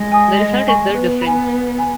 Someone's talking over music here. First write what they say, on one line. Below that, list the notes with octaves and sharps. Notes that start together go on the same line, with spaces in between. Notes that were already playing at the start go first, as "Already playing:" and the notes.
The result is the "difference".
Already playing: G#3
G#5 D#6
D#5
G#5 C#6
B3 B4
G#5 B5
B4
G#5 B5